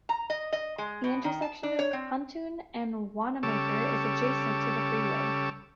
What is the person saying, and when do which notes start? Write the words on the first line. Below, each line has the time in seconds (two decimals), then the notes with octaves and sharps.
The intersection of Huntoon and Wanamaker is adjacent to the freeway.
0.09 A#5
0.30 D#5
0.53 D#5
0.78 G#3
1.04 B2
1.24 D#3
1.42 A5
1.63 D4
1.79 C#5
1.93 C4
3.43 C#3 G3 A4 C#5 D6 E6